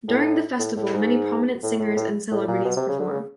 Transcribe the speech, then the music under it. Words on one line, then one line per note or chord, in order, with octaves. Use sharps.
During the festival, many prominent singers and celebrities perform.
A2
A2
A2
G#2
A2
A2
A2
A2
A#2
B2
C3
C#3
D3
C#3